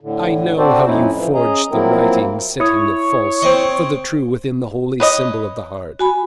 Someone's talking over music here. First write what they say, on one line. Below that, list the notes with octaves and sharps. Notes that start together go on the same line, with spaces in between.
I know how you forged the writing, setting the false for the true within the holy symbol of the Heart.
A2 D3
C4 D4 F#4 A4 C5 D5
F2 A2 C#4 D#4 E4
E3 F3
C#4 G#4 D#5 A#5
F3 F#3 A#3 C4 E4 A#4
E4 C#5 D#6
C4 D#5
B4 C#5 D#5
F#4 G#5 B5